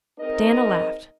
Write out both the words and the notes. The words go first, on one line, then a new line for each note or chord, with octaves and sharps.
Diana laughed.
G#3 C4 D#4 A#4 D#5